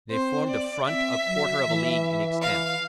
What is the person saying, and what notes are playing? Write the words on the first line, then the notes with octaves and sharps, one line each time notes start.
They formed a front a quarter of a league in extent.
C4 C5
D5
C4 E5
F#3
E3
F5